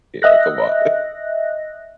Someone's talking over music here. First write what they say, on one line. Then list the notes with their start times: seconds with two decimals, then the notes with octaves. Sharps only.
Yeah, come on.
0.22 D#5 E5 F#6 A#6